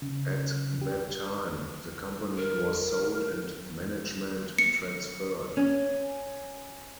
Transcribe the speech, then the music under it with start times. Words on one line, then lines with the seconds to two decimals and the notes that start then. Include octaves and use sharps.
At that time, the company was sold and management transferred.
0.02 C#3
0.81 G4
2.38 A#4
4.59 C#7
5.57 C#4